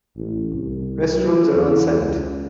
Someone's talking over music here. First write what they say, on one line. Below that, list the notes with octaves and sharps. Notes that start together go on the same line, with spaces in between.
Restrooms are on site.
A1
C2
F#3
E2
C#2